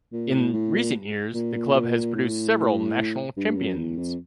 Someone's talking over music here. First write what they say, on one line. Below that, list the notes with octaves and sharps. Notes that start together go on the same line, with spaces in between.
In recent years the club has produced several national champions.
A#2
A2
A2
A#2
A#2
A#2
A2
G2
F#2
E2
F2